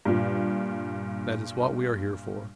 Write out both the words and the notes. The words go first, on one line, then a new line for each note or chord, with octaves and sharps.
That is what we are here for.
G2 A#2